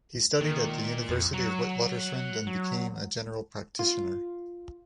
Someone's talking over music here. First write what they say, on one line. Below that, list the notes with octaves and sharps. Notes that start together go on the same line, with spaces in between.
He studied at the University of the Witwatersrand and became a general practitioner.
A#2 D#3
F2
F#3 F#5 A#5
F#3
F4